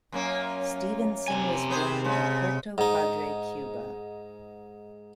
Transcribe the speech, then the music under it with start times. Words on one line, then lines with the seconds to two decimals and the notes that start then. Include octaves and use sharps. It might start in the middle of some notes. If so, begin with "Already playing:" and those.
Stevenson was born in Puerto Padre, Cuba.
0.12 F#2 A#3 C#4
1.28 C3 G#5
1.70 B3 G#4 C5
2.04 C#3 G#3
2.78 G#2 D#4